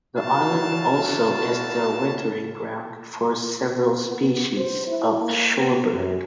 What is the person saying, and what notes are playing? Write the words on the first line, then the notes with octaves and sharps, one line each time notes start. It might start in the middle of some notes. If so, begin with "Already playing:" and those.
The island also is the wintering ground for several species of shorebird.
A#2 F#3 E4 F#4 F5 A5
B3
C5
E4
A#3
B3
F#2